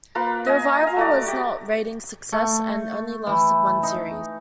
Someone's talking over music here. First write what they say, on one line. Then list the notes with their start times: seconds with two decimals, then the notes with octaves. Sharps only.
The revival was not a ratings success and only lasted one series.
0.15 A#3 F4 A#4 B4
0.47 D#5 G#5
0.83 D#5 F5
0.96 A3 F#4 D5
1.26 F#4 G4
2.32 A3
3.27 E3
3.83 D#4